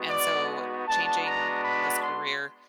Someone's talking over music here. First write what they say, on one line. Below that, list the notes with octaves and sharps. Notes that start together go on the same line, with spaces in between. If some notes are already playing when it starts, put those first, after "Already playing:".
and so changing this career,
Already playing: G#3 B3 D#4 F#4
D5
G#3 B3 D4 F#4 A5
A#5
B5
C6